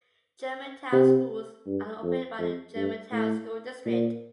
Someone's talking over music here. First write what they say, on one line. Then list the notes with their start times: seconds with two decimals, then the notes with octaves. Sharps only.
Germantown schools are operated by the Germantown School District.
0.93 C3
1.66 G2
2.03 F2
2.39 F2
2.76 G2
3.12 A2
3.85 A#2